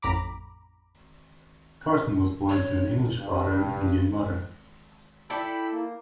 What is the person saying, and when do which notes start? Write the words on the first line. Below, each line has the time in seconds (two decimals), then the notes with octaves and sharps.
Carson was born to an English father and Indian mother.
0.02 A1 F2 A2 A#5 B5 D6
2.49 C#5
3.18 G2
5.30 E4 A4 D5 G5 B5 E6
5.72 A#3